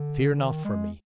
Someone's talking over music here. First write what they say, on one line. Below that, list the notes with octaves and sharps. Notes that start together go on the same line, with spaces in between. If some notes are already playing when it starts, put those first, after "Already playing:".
Fear not for me.
Already playing: D3
D3
D#3
G#3